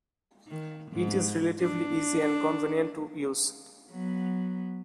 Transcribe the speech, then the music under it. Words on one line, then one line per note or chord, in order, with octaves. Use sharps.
It is relatively easy and convenient to use.
D#3
G#2
D4
F#3 B3